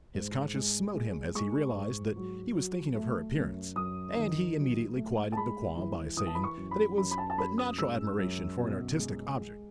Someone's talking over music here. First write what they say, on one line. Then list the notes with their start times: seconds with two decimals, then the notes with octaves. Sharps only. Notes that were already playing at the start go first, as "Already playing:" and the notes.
His conscience smote him as he realized that he was thinking of her appearance, and he immediately quieted the qualm by saying that it was but natural admiration for an artistic object.
0.15 G#2
0.54 G#3
0.94 G#3
1.35 G#3 C#6
1.75 G#2
2.16 F#3
2.55 F#3
2.95 A3
3.36 F#2
3.76 F#2 D#6
4.16 D#3
4.56 F#3
4.96 A3
5.32 A5
5.37 G#3 B5
5.77 E3
6.17 E3 D#6
6.27 A5
6.35 B5
6.44 C#6
6.57 F#2
6.71 B5
6.98 F#2 B5
7.11 B5
7.18 A5
7.30 A5
7.38 F#2 B5
7.58 D#6
7.78 G#3 E6
8.18 F#2
8.59 B2
8.99 G#3
9.39 G#3